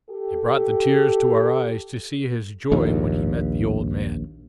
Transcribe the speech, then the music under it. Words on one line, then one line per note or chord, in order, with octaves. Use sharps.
It brought the tears to our eyes to see his joy when he met the old man.
G4 A4
A#1 D#2